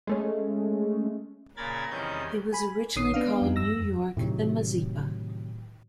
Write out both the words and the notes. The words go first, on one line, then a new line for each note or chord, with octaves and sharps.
It was originally called New York, then Mazeppa.
G#3 A3 C#4
A#2 C#3 A#4 B5 G#6 A6
E2 C3 D#3 G3 C#4 G6
G#5 B5
A#1 B2 D#3 C#5 D#6 C7
B3 D4 F5
F2 F3 D#4
G2 E6 A#6
F2
A2 C3 D#3 F#3